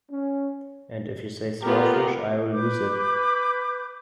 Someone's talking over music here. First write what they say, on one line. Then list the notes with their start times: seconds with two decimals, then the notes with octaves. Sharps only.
And if you say "swordfish" I'll lose it!
0.11 C#4
1.63 A3 B3 F4 G4 A#4
2.52 B4 D6 G6